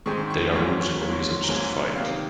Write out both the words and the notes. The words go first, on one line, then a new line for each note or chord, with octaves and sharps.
They are losing reasons to fight.
G#2 D#3 G#3 C4 C#6
C#6
G#2 F#3 A#3 C#6
C#6
G#2 F#3 A#3 C#6
C6
A#5
G#2 F#3 A#3 G#5
C3 D#3 A#3 F5